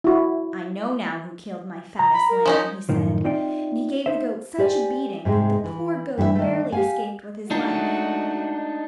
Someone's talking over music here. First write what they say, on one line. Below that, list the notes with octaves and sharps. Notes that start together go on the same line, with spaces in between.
"I know now who killed my fattest lamb," he said, and he gave the goat such a beating that the poor goat barely escaped with his life.
E4 F#4
A#5
B5
A#4
F3 C#4 D#4
F#2 A2 D#3 F3
C4 D#4 F4 D5 E5 G5
D#4 C5 E5
G4 C5 D5 G#5
G#2 C3 G#3
E3
G2 E3 G4 E5
D#3 A3
G4 F5 G#5
G#3 A3 D4 D#4 F#4